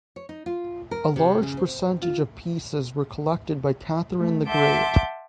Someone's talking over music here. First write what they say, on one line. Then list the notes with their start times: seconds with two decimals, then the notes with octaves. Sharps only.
A large percentage of pieces were collected by Catherine the Great.
0.16 C#5
0.29 D#4
0.46 F4
0.91 A#4
1.16 C3
1.43 C#3
1.57 C4
2.02 F4
4.19 A3
4.48 E5 F#5 A5 C6 D6 G6